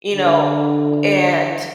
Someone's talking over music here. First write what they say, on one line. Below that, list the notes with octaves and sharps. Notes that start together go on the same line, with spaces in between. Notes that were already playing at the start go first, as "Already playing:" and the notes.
you know, w and,
D3